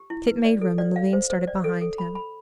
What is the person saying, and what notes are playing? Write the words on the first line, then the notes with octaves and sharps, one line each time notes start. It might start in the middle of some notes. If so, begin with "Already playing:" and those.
Tit made room, and Levin started behind him.
Already playing: G4
E4
B4
D5
A4
D5
F5
C5
C5
D5
A4
A4
B5
B5